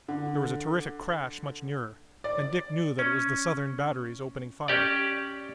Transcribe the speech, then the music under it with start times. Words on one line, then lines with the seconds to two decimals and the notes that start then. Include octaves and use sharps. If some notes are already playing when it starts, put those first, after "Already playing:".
There was a terrific crash much nearer, and Dick knew that it was the Southern batteries opening fire.
0.09 D3
2.24 D5
2.99 C#4
4.68 C#4 G4 D5